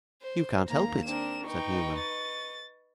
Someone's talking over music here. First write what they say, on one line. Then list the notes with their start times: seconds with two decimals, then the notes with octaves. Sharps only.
'You can't help it,' said Newman.
0.22 C5
0.68 D#2 A#3 F5 A#5
1.04 C4 D4 A#4 E7
1.46 D#4 B4 D#5 G5 C#6
1.98 A6